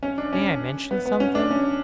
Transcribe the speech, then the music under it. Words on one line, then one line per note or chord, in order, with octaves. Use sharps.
May I mention something?'
C#4
D4
C#4
B3
B3
C#4
D4
C#4